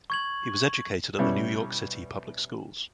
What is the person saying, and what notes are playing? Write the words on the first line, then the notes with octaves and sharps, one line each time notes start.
He was educated at the New York City public schools.
C#6 G#6 F#7
B2 G3 C#4 E4